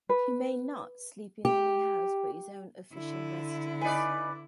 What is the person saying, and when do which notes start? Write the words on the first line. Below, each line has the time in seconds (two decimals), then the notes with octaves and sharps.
He may not sleep in any house but his own official residence.
0.09 B4
1.45 G4
2.94 D3 E4
3.81 D#4 B4 D5 G#5